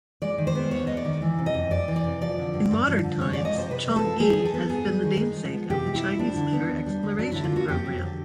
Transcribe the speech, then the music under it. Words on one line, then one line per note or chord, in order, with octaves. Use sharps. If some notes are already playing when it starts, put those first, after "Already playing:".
In modern times, Chang'e has been the namesake of the Chinese Lunar Exploration Program.
G#3 D5
D#3
C5
B3
D#2 C#5
G#3 D#5
D5
D#3
E3
C3
D#5
F2
F2 D5
E3
D5
C3
F3 D5
D3
G2
G2
F3
D3
G#3 C#5
F3 D5
D#5
C3 C5
C3 B4
G#3
A4
F3
G3 G#4
D#3
A4
B3
G#2 G#4
G3
D#3
G#3
F3
B3
C3 G4
G#3
E4
F3
G3 D4
D3
B3
D#2
G3
D3
F#3 D4
D3 E4
F4
A#3 F#4
F2 G4
F#3
D3